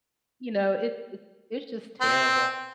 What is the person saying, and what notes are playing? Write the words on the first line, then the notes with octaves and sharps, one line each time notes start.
You know, it it's it's just terrible.
C4